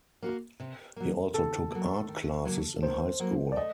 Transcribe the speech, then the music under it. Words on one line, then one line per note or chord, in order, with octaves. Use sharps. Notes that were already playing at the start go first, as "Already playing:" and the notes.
He also took art classes in high school.
A#3 F#4 A#4
C3
F#3 A#3
C3 A4
F#3 A#3
D#3
F#3 A#3
D#3 C5
F#3 A#3
D5
A3 D#5